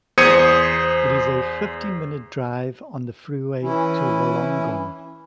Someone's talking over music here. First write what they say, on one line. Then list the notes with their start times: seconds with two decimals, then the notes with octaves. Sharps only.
It is a fifteen-minute drive on the freeway to Wollongong.
0.18 E2 C5 D#6 G#6 C#7 D#7
3.62 E3 C#4 E4